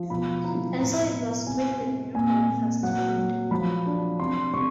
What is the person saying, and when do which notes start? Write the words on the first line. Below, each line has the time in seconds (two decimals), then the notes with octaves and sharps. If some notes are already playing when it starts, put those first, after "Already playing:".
And so it was with the new breakfast food.
Already playing: F3 F4
0.10 B2 B5
0.44 E4 A#5
0.79 A2 A#5
1.13 B3
1.46 C3 G#5
1.81 C4
2.15 A#2 G#5
2.49 A#2
2.83 F#3 F#5
3.17 F#3
3.51 F3 B5
3.86 D4
4.19 C3 C6
4.53 C3 C#6